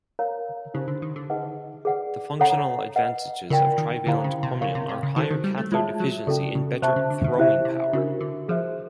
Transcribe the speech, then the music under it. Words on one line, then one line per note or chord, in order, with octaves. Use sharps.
The functional advantages of trivalent chromium are higher cathode efficiency and better throwing power.
A#4 C#5 F5 A#5
C#3 D#4 G4 C5
D3
D#3
D3
D#4 G#4 B4 D#5 F#5
G#4 B4 D5 F#5
C#3 A4 C#5 F#5 A#5
B4 D#5 F#5
C#3 F4 A#4 D5 G5 C6
D#3
D3 E4 G4 C5 F5 A#5
C#3
C3
C#3 A#4 C#5 F5
C3
C3
C#3
D#3 D#4 F#4 A4 C5
D#3
G3
A3
G#3 F4 G#4 C#5 E5 A5
F#3
C#3 C#4 F#4 A4 D5
C#3
C3 C5 E5 A5 C#6
C#3
D3
D#3
C#3 C#4 E4 G4 C5 E5
C3
C#3 D4 F#4 A#4
D3
F3 G#4 C5 E5